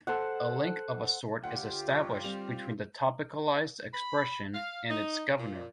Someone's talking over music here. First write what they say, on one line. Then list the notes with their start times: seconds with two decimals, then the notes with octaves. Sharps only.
A link of a sort is established between the topicalized expression and its governor.
0.07 A4 C5 F#5
1.44 D2 F4 G4 F#5
1.91 G1 C#5 C#6
2.24 G3 C4 F7
3.94 B5
4.54 F5
4.90 D#4
5.39 A#2